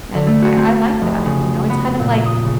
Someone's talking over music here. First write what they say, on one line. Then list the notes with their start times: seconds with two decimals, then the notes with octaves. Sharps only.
and I I like that, you know? It's kind of like
0.15 D3
0.27 A3
0.42 F#4
0.57 C4
0.85 A5
1.01 F1
1.26 C#3
1.70 B3
1.99 A#2
2.26 D#6
2.45 C#3